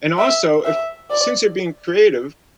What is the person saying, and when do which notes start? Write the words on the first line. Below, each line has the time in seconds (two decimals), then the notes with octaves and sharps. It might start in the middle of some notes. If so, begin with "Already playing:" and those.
and also if since you're being creative,
0.18 E5
0.65 E5
1.10 D5